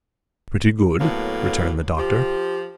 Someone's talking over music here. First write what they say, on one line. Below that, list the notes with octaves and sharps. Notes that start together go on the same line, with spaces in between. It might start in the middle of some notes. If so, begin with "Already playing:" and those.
"Pretty good," returned the Doctor.
A2 F#3 A#3 B3 A4
F3 F4 G4